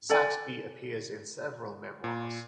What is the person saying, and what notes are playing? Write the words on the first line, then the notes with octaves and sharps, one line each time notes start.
Saxby appears in several memoirs.
A4 D5 G#5
A#2